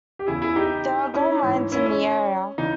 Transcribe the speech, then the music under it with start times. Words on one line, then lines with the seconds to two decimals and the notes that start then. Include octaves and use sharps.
There are gold mines in the area.
0.19 G4
0.27 E2 C#3 E3 E4 G#4
0.42 E4 G#4
0.56 D#4 G4
1.14 C#4 E4
1.42 G#2 E3
1.72 C#4 E4
1.86 C#4
2.58 C#3 E3 D#4